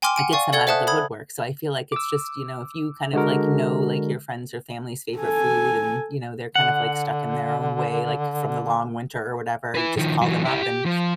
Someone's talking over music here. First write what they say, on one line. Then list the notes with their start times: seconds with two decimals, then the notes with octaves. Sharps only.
it get them out of the woodwork, so I feel like it's just, you know, if you kind of like know, like, your friends or family's favorite food and, you know, they're kind of like stuck in their own way, like, from the long winter or whatever, you just call them up and
0.02 G5 G#5 C6 D6 F6
0.16 F#5 G#5 D7
0.33 D5 F5 G#5 C#6
0.53 A4 D5 F#5 G#6 G7
0.67 C5 E5 F#5 A5 D#6 F#6
0.87 A4 B5 D#6 G#6
1.92 D6 E6
3.13 D3 G#3 F#4 A#4
5.18 A4 G#5
6.55 D3 F#5
9.75 E4 B4
9.97 D#3 F3
10.22 E3 F#3
10.45 E4 G4
10.62 G4
10.86 F3